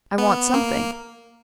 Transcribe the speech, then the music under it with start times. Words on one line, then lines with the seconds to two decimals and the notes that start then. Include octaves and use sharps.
I want something.
0.18 B3
0.54 A#3